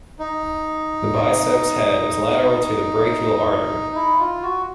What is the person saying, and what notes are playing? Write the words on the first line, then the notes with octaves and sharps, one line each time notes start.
The biceps head is lateral to the brachial artery.
D#4
E4
F4
F#4